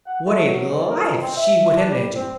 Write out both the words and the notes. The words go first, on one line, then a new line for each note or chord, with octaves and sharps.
What a life she would have led you!'
F#5
A3
F#3
G#2
A#4
F2
C4
E5
D4
G3
C4